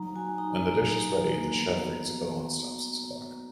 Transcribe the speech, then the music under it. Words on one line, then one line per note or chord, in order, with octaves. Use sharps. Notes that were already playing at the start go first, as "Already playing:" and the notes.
When the dish is ready, the chef rings a bell and stops his clock.
Already playing: F#3 D#4 A#5
F#4 G#5
D#4 A#5
D#4 A#5
F#3
D#4
A#3
B3
F#4
B3